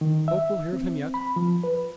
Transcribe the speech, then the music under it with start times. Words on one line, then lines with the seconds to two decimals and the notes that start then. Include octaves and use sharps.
"Folk will hear of him yet."
0.01 D#3
0.28 E5
0.73 C4
1.14 B5
1.36 F3
1.64 B4